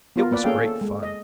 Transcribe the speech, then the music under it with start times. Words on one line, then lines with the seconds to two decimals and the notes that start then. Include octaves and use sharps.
It was great fun.
0.16 B3 F4 A#4
0.31 A#3 B4 D5
0.44 A#3 C#4 G#4 A4 F5 G5
0.64 A4
0.81 G#3
1.03 D#5